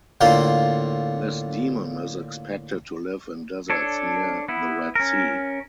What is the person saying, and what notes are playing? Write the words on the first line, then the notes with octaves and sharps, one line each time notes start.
This demon is expected to live in deserts near the Red Sea.
A2 D3 A#3 F4 C6
D4 A4 C#5
B3 E4
C#4 A#4